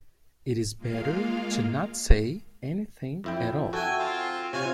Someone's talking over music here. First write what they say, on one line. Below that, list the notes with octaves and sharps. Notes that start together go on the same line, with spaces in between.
It is better to not say anything at all.
G#3 A#3 F4 F5
F2 E4 G5
F#4 A4 E5 G5 G#5
C4 F4
C3 F4 C#5 G#5